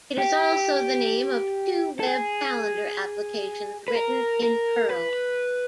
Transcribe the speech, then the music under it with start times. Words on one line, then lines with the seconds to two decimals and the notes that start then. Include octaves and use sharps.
It is also the name of two web calendar applications written in Perl.
0.18 G4
2.00 A4
2.07 G#4
3.88 B4
3.96 A#4
4.43 A#4
4.90 B4